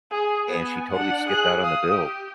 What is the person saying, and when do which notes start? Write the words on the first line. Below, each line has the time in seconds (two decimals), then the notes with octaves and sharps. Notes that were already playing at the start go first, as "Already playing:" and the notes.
and she totally skipped out on the bill,
0.11 G#4
0.48 B3 G#5
0.92 D4 F#5
1.28 G#4 F#6
1.62 F5 D#6
1.92 G4